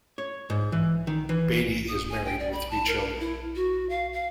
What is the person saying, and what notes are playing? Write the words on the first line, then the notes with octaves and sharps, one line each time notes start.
Beattie is married with three children.
C#5
G#2
E3
D#3
E3
D#6
G#5
G5
D5
B5
A5
A#4
E4
F#4
F5
F5